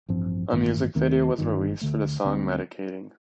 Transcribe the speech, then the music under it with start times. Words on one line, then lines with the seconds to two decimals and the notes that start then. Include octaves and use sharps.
A music video was released for the song "Medicating".
0.09 A1 G2 F3 C4
0.52 A1 G2 D#3 A3
0.95 D#2 D#3 A3 C4
1.38 G1 G2 D#3
1.81 D2 D3 A3
2.25 D2 D3 G3 C4